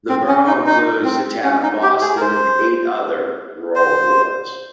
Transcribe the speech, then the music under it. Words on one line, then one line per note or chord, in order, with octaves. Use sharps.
The Borough includes the town of Boston and eight other, rural wards.
C4
C#4
D#4
D#4
C4
C#4
D#4
G4
G#4
A#4
C5
C5